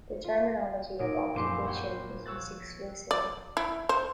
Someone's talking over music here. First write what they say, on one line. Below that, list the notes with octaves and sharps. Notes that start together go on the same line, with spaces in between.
The terminology of "occupation" is used exclusively.
F4
A#2 D#4 D7
A#1 F#2 D4 G4 C6
C5 C#5 F#5 G5
C#5 E6 F#6 A6
D5
E4
C5